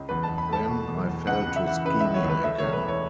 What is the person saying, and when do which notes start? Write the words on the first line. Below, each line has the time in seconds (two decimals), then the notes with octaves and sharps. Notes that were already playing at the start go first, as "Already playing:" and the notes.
Then I fell to scheming again.
Already playing: C#2
0.09 E2 B4
0.23 E2 A5
0.38 B5
0.49 A3 A5
0.67 B2
0.87 E2
1.07 E2
1.27 C#2 F#5
1.47 C#2
1.56 E5
1.66 E3
1.85 C#3 B4
2.00 C#2 E5
2.14 C#5
2.24 C#2
2.29 B4
2.44 A3 E5
2.58 E1 C#5
2.73 B4
2.83 E3
2.88 C#5